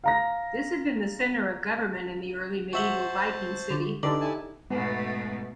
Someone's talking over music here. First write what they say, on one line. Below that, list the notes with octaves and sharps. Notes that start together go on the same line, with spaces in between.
This had been the centre of government in the early medieval Viking city.
F5 A#5 A#6
F#4 C5 E5 F#5 A5
D3
D3 E3 D4 D#4 G4 A4 D5
E4 G#5 A5
G#2 B2 A3 B3